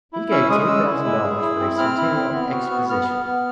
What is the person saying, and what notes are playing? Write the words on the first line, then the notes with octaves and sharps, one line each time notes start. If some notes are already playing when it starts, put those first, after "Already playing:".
He gave ten thousand dollars for a Centennial Exposition.
E4
C#4 E6
G#3 D#6
D#6
C#4 E6
E4
G#3
G#4
E4
C4
C4 F6
E4
C4
B3
F#4
B3
B3 F6
B3
B3